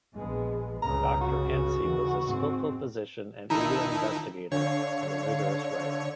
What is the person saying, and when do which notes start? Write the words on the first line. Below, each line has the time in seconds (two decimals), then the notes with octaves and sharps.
Doctor Anstie was a skilful physician, an eager investigator, and a vigorous writer.
0.15 A#1 G#3 B3
0.82 G1 C#2 C#3 A#5
1.21 F#4
1.82 D#2 C#3 E3
2.24 G#2 C4
3.50 D#3 D#4 E4 A5 A#5
4.52 D3 D4 C#5 F5